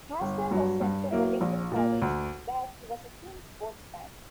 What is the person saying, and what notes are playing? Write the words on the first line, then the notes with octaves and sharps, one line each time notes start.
Hasler was sent to Wellington College, where he was a keen sportsman.
G1
G2 F#3
G2
F#3 A#3 E4
A#1
A#2 A#3
D2